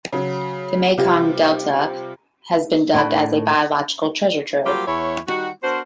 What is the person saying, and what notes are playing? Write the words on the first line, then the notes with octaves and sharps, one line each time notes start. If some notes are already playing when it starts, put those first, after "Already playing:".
The Mekong Delta has been dubbed as a "biological treasure trove".
C#3 F#3
C3 G3 F4 G4
A2 D4 B5
F#3 G3 A#3 C4 F4 G4
E2 E4 C#5
D#3 G3 D#4 F#4
B3 D4 F#4 A#4 C5